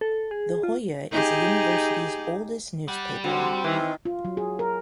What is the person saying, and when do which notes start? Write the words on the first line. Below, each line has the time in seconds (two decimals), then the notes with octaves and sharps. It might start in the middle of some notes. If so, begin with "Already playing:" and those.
"The Hoya" is the university's oldest newspaper.
0.01 A4
0.31 G#4
0.63 F4
1.12 D#4 G4 G#4
2.88 G3 F#5
3.24 D3 C4 F#4
3.64 D#3 E3
4.05 F4
4.25 F#3
4.37 G#4
4.59 A#4